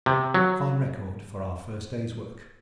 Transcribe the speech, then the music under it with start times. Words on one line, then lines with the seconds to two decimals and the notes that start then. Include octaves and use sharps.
A fine record for our first day's work.
0.06 C3
0.34 F#3